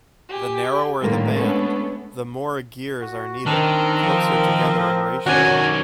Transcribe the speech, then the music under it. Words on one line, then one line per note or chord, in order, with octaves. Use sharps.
The narrower the band, the more gears are needed, closer together in ratio.
G4 G#5
A2 D3 D#3 G3 A#3
G#3 A3 B3 C#4 D4 A4
F#4
D#3 C4 D4 A#4
F3
D#3 F#3 C#4 F#4 A#4 D5 G#5 A5